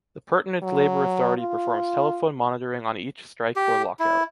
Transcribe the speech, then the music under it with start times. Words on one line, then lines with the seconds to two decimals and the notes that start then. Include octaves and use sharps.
The pertinent labor authority performs telephone monitoring on each strike or lockout.
0.63 F#3
1.38 F4
3.56 G4
3.99 E4